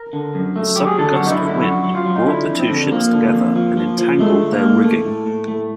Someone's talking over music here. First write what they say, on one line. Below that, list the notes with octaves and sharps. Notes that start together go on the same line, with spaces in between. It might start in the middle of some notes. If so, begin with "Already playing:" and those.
A sudden gust of wind brought the two ships together and entangled their rigging.
Already playing: A#4
D3
F#2
A3
F#3 G4
G#4
D3 A4
F#2 F#4
D#4
E4
D3
E4
F#2 F#4
F#3
F4
F#3
D#4
D3 E4
F2
C4
D3
F3 A#3
D3
F2
F3
F3
F3
G#3 A3
D3
A#3
G#3
A2 A3
A2
A2
A3